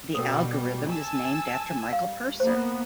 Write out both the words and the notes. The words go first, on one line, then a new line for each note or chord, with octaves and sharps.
The algorithm is named after Michael Purser.
B2 G3 A4 A#4
G#5 A5 E6
G3 F5
A#3 B3 C5